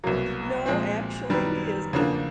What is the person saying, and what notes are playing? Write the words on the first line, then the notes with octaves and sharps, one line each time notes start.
No, actually, he isn't.
C2 B2 F#3 A#3
A#2 F3 G#3 C4
F#2 D#3 G3 B3
E2 C#3 F3 A#3 D4